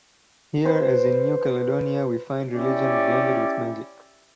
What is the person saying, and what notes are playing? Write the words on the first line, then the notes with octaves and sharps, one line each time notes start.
Here, as in New Caledonia, we find religion blended with magic.
B4 C5 E6
C#4 E4 G4 D5